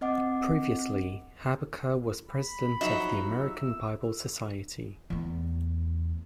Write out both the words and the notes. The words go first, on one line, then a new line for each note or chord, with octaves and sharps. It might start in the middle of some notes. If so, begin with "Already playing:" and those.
Previously, Habecker was president of the American Bible Society.
C4 D#5 F#5 D6
B5
F3 F#3 D#4 E5
E6
E2 A3